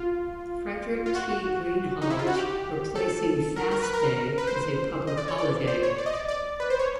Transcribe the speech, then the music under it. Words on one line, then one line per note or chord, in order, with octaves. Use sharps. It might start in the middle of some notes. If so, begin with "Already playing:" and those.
Frederic T. Greenhalge replacing Fast Day as a public holiday.
Already playing: F4
F4
F#4
D#4
E4
F4
F#4
G4
A4
A#4
A#4
B4
A#4
B4
C5
D#5
D5
C#5
D5
C5
C#5
D5
D#5
D5
D5
B4
C5
C#5